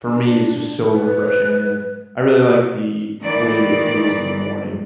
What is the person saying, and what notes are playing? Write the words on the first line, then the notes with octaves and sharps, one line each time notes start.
for me, it's just so refreshing, and I really like the way that it feels in the morning,
D4
B4
D#3 E3 D5